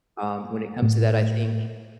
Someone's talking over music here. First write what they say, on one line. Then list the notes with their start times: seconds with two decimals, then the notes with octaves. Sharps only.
um, when it comes to that, I think
0.82 A2